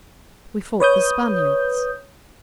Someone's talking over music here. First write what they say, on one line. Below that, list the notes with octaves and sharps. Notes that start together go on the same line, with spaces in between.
We fought the Spaniards.
B4 C#5 D#6 G6